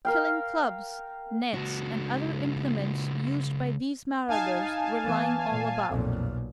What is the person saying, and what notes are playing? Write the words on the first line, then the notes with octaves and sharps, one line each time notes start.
Killing clubs, nets and other implements used by these marauders were lying all about.
A#4 F5 G5
C#2 F#4
D#4 F5 G#5 A5
E3 B3
A#2
B1 F2 A#2